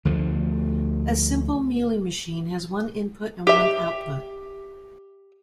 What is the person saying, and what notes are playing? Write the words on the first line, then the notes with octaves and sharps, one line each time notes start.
A simple Mealy machine has one input and one output.
D2 D3 F3
G4 E5